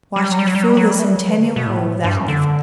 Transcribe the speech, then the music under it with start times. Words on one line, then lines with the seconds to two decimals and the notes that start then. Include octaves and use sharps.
Why, she could fill the Centennial Hall without an effort.
0.16 F#3
0.23 G3
0.32 F#3
0.39 G3
0.47 F#3
0.55 G3
0.62 F#3
0.69 G3
0.77 F#3
0.91 G3
0.99 A3
1.04 G3
1.16 F#3
1.29 E3
1.38 D3
1.56 B2
1.66 A2
2.04 G2
2.17 F#2
2.28 D3